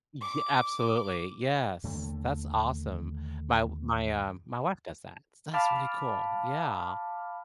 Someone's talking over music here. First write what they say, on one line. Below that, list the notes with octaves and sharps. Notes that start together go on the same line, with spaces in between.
Ye absolutely. Yes, that's awesome. My my, uh my wife does that, so that's really cool, yeah.
D6
D#2 D3 A3
F5 A5 B5 D6 F6